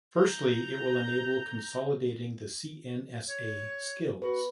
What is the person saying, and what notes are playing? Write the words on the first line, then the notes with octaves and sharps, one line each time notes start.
Firstly, it will enable consolidating the CNSA skills.
A#5 G6
C#5
F#4 B4